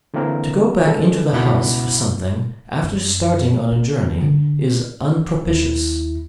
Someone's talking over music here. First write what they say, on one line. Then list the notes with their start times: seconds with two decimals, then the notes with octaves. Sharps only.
To go back into the house for something after starting on a journey is unpropitious.
0.14 D3 E3 A#3 C4 A#4
0.84 C#3 G#3 A4
1.33 C#2 B2 E4 F#5 B5 D6
2.83 F#2
3.72 F4
4.21 D3
5.46 D#2 E4